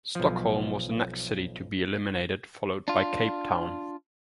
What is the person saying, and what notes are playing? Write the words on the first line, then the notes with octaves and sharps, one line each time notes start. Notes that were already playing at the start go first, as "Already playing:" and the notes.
Stockholm was the next city to be eliminated followed by Cape Town.
B1 F3
D4 F4